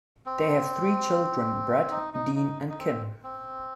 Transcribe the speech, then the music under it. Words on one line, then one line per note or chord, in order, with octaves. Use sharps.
They have three children, Brett, Dean and Kim.
C4
D#4
D#4
D#4
D#4
C4
C4